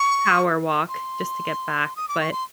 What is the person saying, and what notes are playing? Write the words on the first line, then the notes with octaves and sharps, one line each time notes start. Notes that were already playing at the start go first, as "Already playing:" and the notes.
power walk, just to get back, but,
Already playing: C#6
C6
D#6
D6
C#6
C6